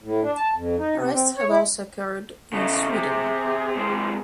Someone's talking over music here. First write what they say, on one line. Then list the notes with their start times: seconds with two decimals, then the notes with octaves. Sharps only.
Arrests have also occurred in Sweden.
0.02 A2
0.22 D4
0.36 A5
0.54 F2
0.78 D#4
0.97 C3
1.12 C4
1.37 C#5
1.49 E4
2.53 C#3 A3 D#5
2.89 C3 C4 G#4
3.75 C3 G#3